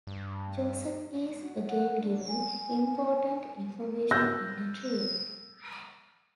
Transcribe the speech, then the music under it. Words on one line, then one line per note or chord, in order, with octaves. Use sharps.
Joseph is again given important information in a dream.
G2
F#4
F#5
D4
G#5
E6 F#6 G6 A6 A#6